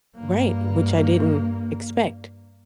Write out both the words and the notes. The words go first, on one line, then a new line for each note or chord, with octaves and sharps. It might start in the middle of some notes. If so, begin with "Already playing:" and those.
Right, which I didn't expect.
G2 A#3